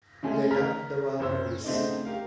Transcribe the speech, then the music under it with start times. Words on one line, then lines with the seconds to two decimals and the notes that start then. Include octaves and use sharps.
They loved the war movies.
0.23 C#3 G#3 A3 C#4 G#4
0.51 A#5 F6 B6
1.20 F#1 C5 C#5 E6
1.64 C#3 A3 C4 D4 D#4
2.05 G4 A#4 F5